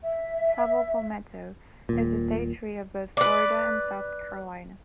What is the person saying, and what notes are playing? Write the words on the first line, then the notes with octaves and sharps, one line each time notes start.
"Sabal palmetto" is the State Tree of both Florida and South Carolina.
E5
D#1 A#2
B4 D5